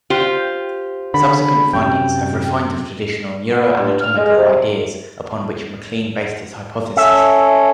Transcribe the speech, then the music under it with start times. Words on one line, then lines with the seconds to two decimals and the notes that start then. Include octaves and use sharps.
Subsequent findings have refined the traditional neuroanatomical ideas upon which MacLean based his hypothesis.
0.10 F4 G4 C5
1.14 D3 B5
1.73 F#2 C3 G5
3.49 B3
3.80 G2
4.01 F6
4.17 G#3
4.38 C3
6.97 C#4 A4 E5